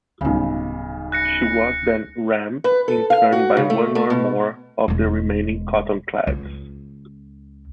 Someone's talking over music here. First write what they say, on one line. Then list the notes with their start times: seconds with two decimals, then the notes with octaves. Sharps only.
She was then rammed in turn by one or more of the remaining cottonclads.
0.21 D1 B1 C#3 G3
1.12 F#6 A#6 C#7
2.64 B4
2.88 A4
3.10 F5
3.32 F#4
3.57 C#3
3.70 A3
3.95 A3
4.10 B2
4.88 E1 G#3
6.27 C#2